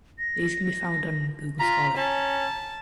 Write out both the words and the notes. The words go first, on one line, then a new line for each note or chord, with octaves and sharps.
These can be found on Google Scholar.
A#6
F4 A#5 B6
C#4 A5 A#5